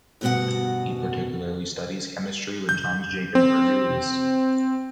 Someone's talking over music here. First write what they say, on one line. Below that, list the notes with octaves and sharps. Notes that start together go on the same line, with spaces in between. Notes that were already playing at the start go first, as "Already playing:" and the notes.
He particularly studies chemistry with Jöns Jakob Berzelius.
D2 G2 B2 B3 F#4 F#5
G6
C4